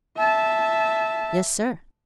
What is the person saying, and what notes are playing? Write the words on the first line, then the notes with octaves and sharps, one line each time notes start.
"Yes, sir."
E5 A5